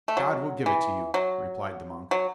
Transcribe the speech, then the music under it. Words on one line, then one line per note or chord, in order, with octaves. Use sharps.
"God will give it to you," replied the monk.
A3
F#3
E3
F#3
F#3